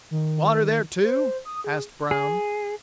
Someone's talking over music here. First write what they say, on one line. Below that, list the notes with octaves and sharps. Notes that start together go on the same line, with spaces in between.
"Water there, too?" asked Brown.
D#3
C5
D#6
G#4
G#4